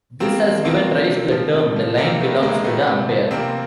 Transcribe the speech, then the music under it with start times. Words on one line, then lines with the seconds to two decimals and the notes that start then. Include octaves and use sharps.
This has given rise to the term the line belongs to the umpire.
0.20 B2 A#3 C4
0.65 B2 A#3 C4
1.09 C3
1.32 F3
1.54 C3
1.76 F3
1.98 C3 A#3 C4
2.21 D#3 A3 B3
2.42 C3 G#3 A#3
2.64 D#3 A3 B3
2.87 C3
3.09 F3
3.31 C3 A#3 C4